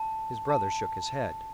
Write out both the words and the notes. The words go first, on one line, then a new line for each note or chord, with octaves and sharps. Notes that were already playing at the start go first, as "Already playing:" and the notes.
His brother shook his head.
Already playing: A5
A5